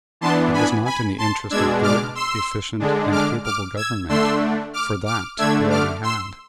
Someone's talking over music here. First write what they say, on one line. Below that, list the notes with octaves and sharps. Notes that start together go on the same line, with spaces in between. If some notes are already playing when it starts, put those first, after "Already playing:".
It was not in the interest of good, efficient, and capable government; for that we already had.
E3 B3 D4 A5 C6
G#5 B5
G#5 B5
A5 C6
B2 G#3 D4 E6 G#6
D6 F6
C6 E6
D3 G#3 D4
D6 F6
D6 F6
E6 G#6
D3 A3 D4 C6 E6
D6 F6
D6 F6
D3 A3 D4 E6 G#6
D6 F6
C6 E6